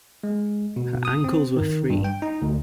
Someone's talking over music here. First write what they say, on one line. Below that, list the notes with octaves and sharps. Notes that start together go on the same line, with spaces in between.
Her ankles were free.
G#3
B2
D#6
C4
D#3
G2
G5
D#4
D2